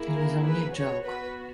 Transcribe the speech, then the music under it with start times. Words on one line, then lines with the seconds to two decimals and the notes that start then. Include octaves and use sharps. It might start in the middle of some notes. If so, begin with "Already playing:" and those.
It was only a joke.
Already playing: A#3 E4 G#4
0.15 A#4
0.45 B4
0.75 B3 F#4 C#5
1.06 B4